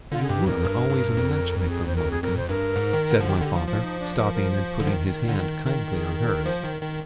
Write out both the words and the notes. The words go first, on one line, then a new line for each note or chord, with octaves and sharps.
'You were always a match-maker, Monica,' said my father, stopping, and putting his hand kindly on hers.
D3 F4
G#4
G2 G4
F2 A#4
G2
G2
F2
A#4
G#4
C5
A#4
G#4
F2 A#4
C5
G2 A#4
G#2
D#3
D3
F3
D#3 G4
D3 G4
F3 F4
F3
D#4
D4
A#4
A#4
C5
D3
D#3
D3
D#3
D#3
G#4
A#4
F3 C5
D#3
D#3